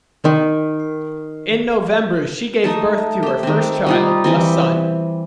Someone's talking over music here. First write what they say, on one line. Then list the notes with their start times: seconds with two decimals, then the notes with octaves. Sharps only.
In November she gave birth to her first child, a son.
0.25 D#3
2.64 A3 D#4 A5
3.23 G4 C5
3.43 D#3 C4
3.87 G3 D#4 F4
4.24 E3 G3 C4